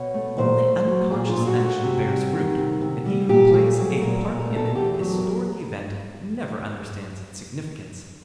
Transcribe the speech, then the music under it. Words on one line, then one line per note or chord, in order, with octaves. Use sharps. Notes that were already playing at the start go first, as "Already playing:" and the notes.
Only unconscious action bears fruit, and he who plays a part in an historic event never understands its significance.
Already playing: B2 C#5
A3
A#2 C5
A3
F#3
A#2 G#4
F4
A#2
F#4
A3
F#4
C3
G3
D#3
C3
C3
G3
A#2 G4
A3 G#4
F#3 G#4
A#2 A#4
A4
A#2
A#4
A3
A4
E2 G4
G#4
F#3
A#4